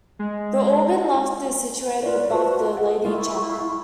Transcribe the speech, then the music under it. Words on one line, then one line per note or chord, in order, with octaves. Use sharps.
The organ loft is situated above the Lady Chapel.
G#3
F4 B4 C#5 D5
F4 F#4 B4 C5 E5
G#4 A4 F#5
G#3 E4 F4 C#6